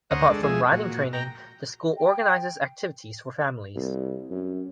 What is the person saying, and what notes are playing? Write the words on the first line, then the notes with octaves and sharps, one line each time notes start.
Apart from riding training, the school organises activities for families.
D2 C5 C#5 F#5 A#5 D#6
G#3 D4 A4
F3 G#3 G#4 E5
A#2 F#4
G5 A#5
G5
C2
F#2